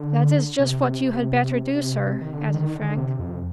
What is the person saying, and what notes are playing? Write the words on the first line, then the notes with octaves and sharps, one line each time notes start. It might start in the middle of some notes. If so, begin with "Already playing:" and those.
"That is just what you had better do, sir," added Frank.
Already playing: D3
C3
D#3
D3
D#3
D3
C3
F2